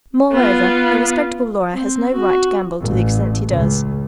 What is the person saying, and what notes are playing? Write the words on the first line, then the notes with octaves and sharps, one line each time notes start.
Moreover, a respectable lawyer has no right to gamble to the extent he does.
B3 F4
C4
F#4
A1
C#2